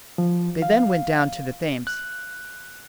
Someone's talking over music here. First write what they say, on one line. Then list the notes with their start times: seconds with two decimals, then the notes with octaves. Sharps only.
They then went down to the Thames.
0.18 F3
0.62 F5
1.87 F#6